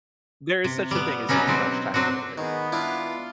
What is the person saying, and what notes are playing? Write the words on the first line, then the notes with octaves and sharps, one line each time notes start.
There is such a thing as too much time together.
C3
G3 B3
B2 F#3 G3 B3 C#4 D#4
F#3 C4 F#4
F#3 C4 D4 F#4
D#3 B3 G#4
D4 E4 F4